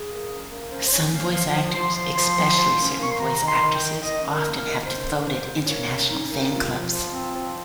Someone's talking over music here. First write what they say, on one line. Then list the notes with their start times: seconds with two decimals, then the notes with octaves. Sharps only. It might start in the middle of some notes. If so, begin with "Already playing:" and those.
Some voice actors—especially certain voice actresses—often have devoted international fan-clubs.
Already playing: G#4
0.09 A#3
0.29 C#4
0.49 A#3
0.70 C#4 C5
0.85 C5
0.91 C#4 C#5
1.11 A#3 F5
1.32 F3 F5
1.53 F3
1.74 F3 C6
1.94 F3 C6
2.15 F3 C6
2.35 F3
2.57 F3
2.77 C#4
2.97 A#3 C#6
3.10 C6
3.18 D#3 A#5
3.35 D#3 A#5
3.46 C6
3.60 D#3
3.74 G5
3.80 D#3
4.01 D#3 D#5
4.22 C#4
4.29 A#4
4.42 A#3
4.56 A#4
4.63 D#3
4.84 C#4 C5
5.05 A#3
5.16 A#4
5.25 C#4 C5
5.46 C#4
5.66 A#3 C#5
5.87 C#4
6.08 C#4 D#4
6.29 A#3
6.49 C3 F4
6.70 F3
6.91 F3
7.11 C4
7.32 F3